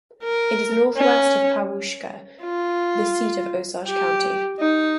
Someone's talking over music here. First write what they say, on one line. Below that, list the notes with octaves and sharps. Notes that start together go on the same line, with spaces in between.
It is northwest of Pawhuska, the seat of Osage County.
A#4
C#4
F4
G4
D#4